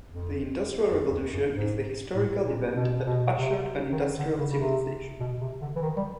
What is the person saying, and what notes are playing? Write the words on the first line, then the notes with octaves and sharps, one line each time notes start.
The "industrial revolution" is the historical event that ushered in industrial civilization.
F2
F2
E2
F#2
G#2
A2
A#2
B2
B2
C3
D#3
D3
D3
C#3
C#3
C3
B2
C3
D3
E3
D#3
G3